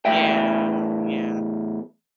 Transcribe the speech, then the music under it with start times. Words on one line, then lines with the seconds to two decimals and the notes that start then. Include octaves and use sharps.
Yeah. Yeah.
0.05 E2 A2 E5 G5